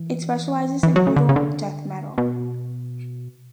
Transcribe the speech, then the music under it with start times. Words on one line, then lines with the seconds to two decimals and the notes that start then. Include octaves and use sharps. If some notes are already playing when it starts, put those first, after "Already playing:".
It specialises in brutal death metal.
Already playing: E3
0.83 E3
0.96 F#3
1.07 C#3
1.16 D3
1.29 C#3
1.36 D3
2.18 B2